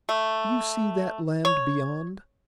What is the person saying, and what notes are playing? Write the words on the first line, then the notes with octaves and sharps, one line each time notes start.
Do you see that land beyond?'
A3
C#5